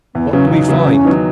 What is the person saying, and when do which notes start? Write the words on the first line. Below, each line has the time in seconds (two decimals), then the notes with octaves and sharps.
What do we find?
0.15 E2 B3
0.33 C#3 F#3 B3 C#4
0.51 E2 D#4
0.69 C#3 F#3 B3
0.87 E2 C#4
1.05 D#3 F#3 B3 D#4